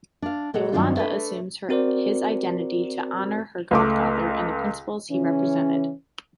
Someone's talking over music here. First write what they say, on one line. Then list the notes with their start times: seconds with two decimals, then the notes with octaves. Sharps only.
Yolanda assumes his identity to honor her godfather and the principles he represented.
0.22 D4 F5
0.54 A#2 G#3 A4 D#5 F#5
0.72 G2 D#3 F#3 C4 D4 F4
0.96 A3 D4 A4 B4
1.69 C4 F#4 A#4 C5 D5
3.71 C#2 A3 D6
5.11 C#3 E3 C#4